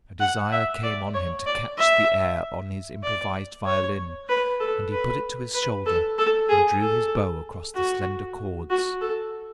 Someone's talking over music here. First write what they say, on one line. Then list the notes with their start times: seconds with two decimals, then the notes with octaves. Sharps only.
A desire came on him to catch the air on his improvised violin, and he put it to his shoulder and drew his bow across the slender cords.
0.20 F#5
0.52 E5
0.83 D5
1.14 C#5
1.46 D5
1.77 E5
3.03 D5
3.66 C#5
4.29 B4
4.60 A4
4.92 B4
5.54 B4
5.86 A4
6.18 A4
6.49 G#4
6.81 A4
7.75 F#4
8.70 F#4
9.01 A4